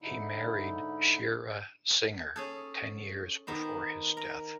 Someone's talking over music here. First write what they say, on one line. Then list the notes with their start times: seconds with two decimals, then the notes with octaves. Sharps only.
He married Shira Singer ten years before his death.
0.02 G#2 D3 D#4 E4
2.36 C#4 G#4 A4
3.47 D#3 B3 C5
4.17 A#4